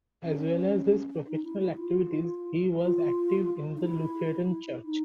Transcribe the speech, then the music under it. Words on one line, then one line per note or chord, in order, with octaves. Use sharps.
As well as his professional activities, he was active in the Lutheran church.
C#4
D#4
E4
E4
F4
F4
D#4
E4
D#4